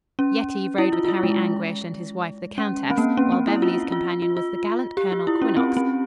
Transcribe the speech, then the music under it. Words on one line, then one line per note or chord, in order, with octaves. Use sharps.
Yetive rode with Harry Anguish and his wife the countess, while Beverly's companion was the gallant Colonel Quinnox.
C#4
E4
F4
F4
E4
G#3
C#4
C4
A#3
C#4
C4
E4
F4
F4
F4
F4
G4
F4
E4
C#4
C4
C4